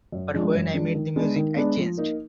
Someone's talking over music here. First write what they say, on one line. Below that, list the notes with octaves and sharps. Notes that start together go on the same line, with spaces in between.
But when I met the music, I changed.
F#2
F3 G#3 D4
F#2
F3 G#3 D4
D#3
G#3 B3 D4
D#3
G#3 B3 D4
F3
A#3 D#4